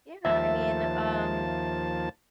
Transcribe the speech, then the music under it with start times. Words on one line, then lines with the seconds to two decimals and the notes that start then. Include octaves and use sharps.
Yeah. I mean, um,
0.25 D#2 F3 E5 A5